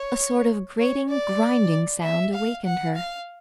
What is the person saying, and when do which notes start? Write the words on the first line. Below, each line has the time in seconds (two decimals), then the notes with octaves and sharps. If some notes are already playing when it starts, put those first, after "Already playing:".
A sort of grating, grinding sound awakened her.
Already playing: C#5
0.79 C#5
1.10 D5
2.03 E5
2.33 F5
2.65 F#5
2.96 F5